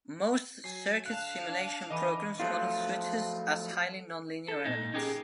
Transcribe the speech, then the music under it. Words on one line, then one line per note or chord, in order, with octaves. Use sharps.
Most circuit simulation programs model switches as highly nonlinear elements.
F#3 G#5 C7
D3 F5 A5 F#6
D4
D3 E3 D#5 D6 D#7
F3 F#3 A3 F4
A4
A#2 D#4
C#4 D#4 G4 G#4 A#4